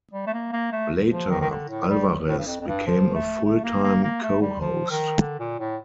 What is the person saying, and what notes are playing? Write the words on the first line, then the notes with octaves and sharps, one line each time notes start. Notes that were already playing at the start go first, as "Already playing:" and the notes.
Later, Alvarez became a full-time co-host.
G3
A3
A#3
A#3
A3
F3
D#3
D#3
D3
A2
G3
A2
G2
F2
F2
G2
F3
A3
A3
A#3
A#3
A#3
A3
G3
F3
D#3
D3
A#2
A2